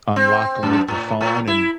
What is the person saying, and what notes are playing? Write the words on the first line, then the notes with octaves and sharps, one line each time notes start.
unlock 'em with your phone, and
C4
F#2
A2
A2
E4